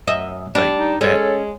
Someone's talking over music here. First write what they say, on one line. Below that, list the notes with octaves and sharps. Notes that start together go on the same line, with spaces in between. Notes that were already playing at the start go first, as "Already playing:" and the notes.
Like, that
F#2 D#5 E5
G3 D4
D#4
G#3 C#4 A4